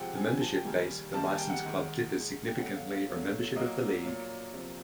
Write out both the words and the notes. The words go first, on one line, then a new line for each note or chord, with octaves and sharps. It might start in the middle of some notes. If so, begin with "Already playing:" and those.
The membership base of the licensed clubs differs significantly from membership of the League.
Already playing: C3 F3 G#3 F#5 G5
C3 F3 G#3 G#5
G#5
A5
G5
D#3 G3 A#3 G#5
D#3 G3 A#3 A5
G#5
G5
F#5
D#3 G#3
D#3 G#3
G5
B2 F#3 A3 F#5
F5
F5
B2 F#3 A3
A#2 F#3 A#3 D#5
A#2 F#3 A#3
C3 F3 A#3